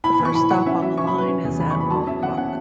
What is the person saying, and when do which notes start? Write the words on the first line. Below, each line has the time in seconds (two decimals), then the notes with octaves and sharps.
The first stop on the line is at Alpbach.
0.04 E4 B5
0.14 B5
0.20 E3
0.25 C#6
0.35 E4 B5
0.50 E4 F#5
0.66 C#4 E5
0.82 F#3 E5
0.97 C#4 C#6
1.07 B5
1.14 F#3 B4
1.28 C#4
1.44 E2
1.60 E2 B5
1.70 C#6
1.76 E2 B5
1.90 F#3 A5
2.07 C#4 E5
2.22 F#3 F#5
2.37 C#4 F#5